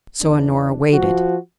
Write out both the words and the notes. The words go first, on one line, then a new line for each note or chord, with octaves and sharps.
So Honora waited.
E2 D4
F3 F#4